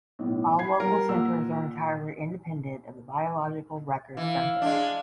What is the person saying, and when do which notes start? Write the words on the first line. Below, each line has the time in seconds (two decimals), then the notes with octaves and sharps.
All local centres are entirely independent of the Biological Records Centre.
0.19 B1 A2
0.59 B5 G#6 C7
0.80 G3 A#4
1.09 A#2 F#5 E6
4.17 E3 F5
4.62 G#3 D4